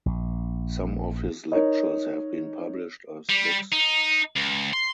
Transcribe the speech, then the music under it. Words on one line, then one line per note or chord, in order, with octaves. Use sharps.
Some of his lectures have been published as books.
A#1
D#4 A#4 C#5 D#5
G3
D#4
C#2
C6